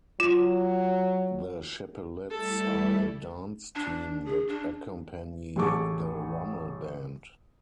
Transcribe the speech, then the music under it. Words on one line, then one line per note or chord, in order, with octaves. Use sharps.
The Chapellettes are a dance team that accompany the Rummel Band.
F#3 F4
G3 A3 E4 A4
D4
G#4
D4
A1 A3 G#4 A4 C#6 D6